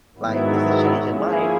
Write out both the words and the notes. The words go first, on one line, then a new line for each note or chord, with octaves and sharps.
like, this is changing life,
G#2 D#3 F#3 B3 E4
F3 A#3 C#4 E4 G#4